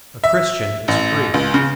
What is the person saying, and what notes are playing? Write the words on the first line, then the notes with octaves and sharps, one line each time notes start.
A Christian is free.
E5
A1
C#2
C#3